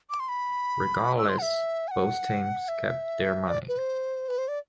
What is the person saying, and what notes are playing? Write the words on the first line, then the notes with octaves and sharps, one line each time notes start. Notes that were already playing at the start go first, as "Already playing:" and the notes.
Regardless, both teams kept their money.
D6
C6
B5
E6
C6
F#5
E5
G#5
F#5
E5
D5
B4
C5
B4
C5
D5